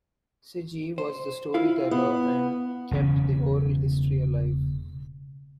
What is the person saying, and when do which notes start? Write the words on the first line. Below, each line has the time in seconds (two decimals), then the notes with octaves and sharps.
Siggie was the story teller and kept the 'oral history' alive.
0.98 C5
1.54 E4 F4 F5
1.91 B3
2.91 E1 C#3 C#4